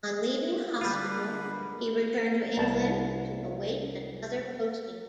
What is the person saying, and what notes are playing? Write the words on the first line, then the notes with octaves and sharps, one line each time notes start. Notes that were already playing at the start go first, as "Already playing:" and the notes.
On leaving hospital he returned to England to await another posting.
D3 G3 G#3 A#3 F4 B4
C2 A5